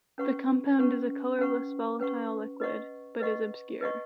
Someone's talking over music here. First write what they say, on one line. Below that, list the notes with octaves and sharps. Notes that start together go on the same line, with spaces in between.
The compound is a colourless volatile liquid, but is obscure.
C#4 B4 F#5 C#6
C#4 B4 F#5 C#6
C#4 B4 F#5 C#6
C#4 B4 F#5 C#6
B4 D#5 F#5 C#6
B4 D#5 F#5 C#6
B4 D#5 F#5 C#6